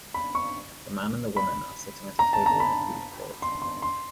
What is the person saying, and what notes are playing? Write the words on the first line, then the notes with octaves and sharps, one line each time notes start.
The man and the woman are sitting at a table in a food court.
B5
C#6
B5
A#5
A5
A#5
B5
C6
C6
C6